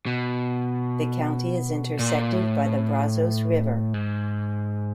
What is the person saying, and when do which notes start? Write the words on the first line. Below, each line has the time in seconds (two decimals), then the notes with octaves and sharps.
The county is intersected by the Brazos River.
0.06 B2
1.99 A#2
2.33 A2
3.94 G#2